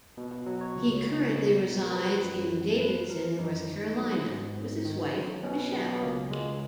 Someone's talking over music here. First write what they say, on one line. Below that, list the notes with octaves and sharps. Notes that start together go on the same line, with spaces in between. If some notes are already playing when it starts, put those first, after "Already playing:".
He currently resides in Davidson, North Carolina with his wife Michelle.
B2
F#3
C#5
C#2
C#2
B2
F#3
A#4
F3 B4
F#2
F#2
F3 B4
F3 A#4
F#2 D#4
D#3
F#3
G#2
G#2
D#3
F#3
B2 C#4
F#3 B3
B3
C#2 A#3
C#2 G#3